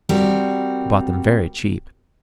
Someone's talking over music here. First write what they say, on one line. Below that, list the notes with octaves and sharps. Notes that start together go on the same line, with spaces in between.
I bought them very cheap.
G3 C4 F#4 A#4